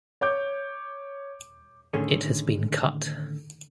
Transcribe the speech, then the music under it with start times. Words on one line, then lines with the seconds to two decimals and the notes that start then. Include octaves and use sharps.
It has been cut.
0.21 C#5 D6 G6
1.93 A2 D3 D#3 C#4 G#4 A4